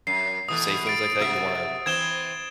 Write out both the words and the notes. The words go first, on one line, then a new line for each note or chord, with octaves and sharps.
say things like that, you want
F#2 C7
B2 E3 A3 D#6
A6 D7
C3 F#4 E5
E3 C4 G#6 E7 G7